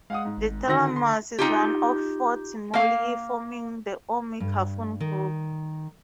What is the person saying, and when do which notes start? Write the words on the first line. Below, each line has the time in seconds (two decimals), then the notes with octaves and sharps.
The tumulus is one of four tumuli forming the Omi Kofun Group.
0.10 G#3 F5 F#5 D#6
0.25 G#2
0.38 G#1
0.68 D3 D#3 F#4 A#6
0.96 C6
1.39 D#4 F4 G4
2.74 A#3 F5
4.40 G2
5.00 D#3